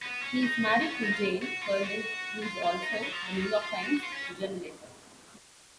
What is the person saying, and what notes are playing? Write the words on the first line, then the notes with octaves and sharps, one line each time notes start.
He is married to Jane Perlez, who is also a "New York Times" journalist.
B3
C#4
D#4
C#4
B3
D#4
F4
F#4
F4
F#4
F4
F4
D#4
C#4
F#3
F3
F#3
D#4
F4
F4
F#4
F#4
F4
C#4